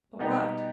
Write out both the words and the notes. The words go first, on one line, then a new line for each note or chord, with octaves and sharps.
But what?
B2 G3 B3 D#4 G4